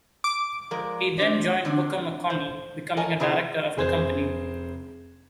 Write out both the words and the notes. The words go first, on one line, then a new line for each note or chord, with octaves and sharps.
He then joined Booker McConnell, becoming a Director of the company.
D6
F3 G#3 A#4 D5
C4 D4 C5 D5
D3 C4 D4
C5
A#4 C#5 D#5 G#5 A5
C3 F3 E4 G#4 C5
F1 G#4 C5 G#6